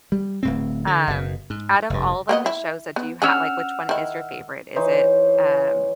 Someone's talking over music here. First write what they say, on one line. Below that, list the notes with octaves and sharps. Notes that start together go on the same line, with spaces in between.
Um, out of all, like, the shows, uh, do you ha like, which one is your favorite? Is it, um,
G3
D1 A2 C4
D3
F#1 B2
G#2
F1 G2
A#3 B3 D#5
E4
B3
C#4 D4 G#4 F#5 E6 F6
D#3 E4
E3 D#4 C5 C#5